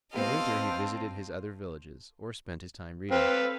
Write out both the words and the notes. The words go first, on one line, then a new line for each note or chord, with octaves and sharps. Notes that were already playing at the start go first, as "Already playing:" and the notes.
In winter he visited his other villages or spent his time reading.
G3 B3 C4 C5 D#5 F5 A5
C4 A4 B4 F5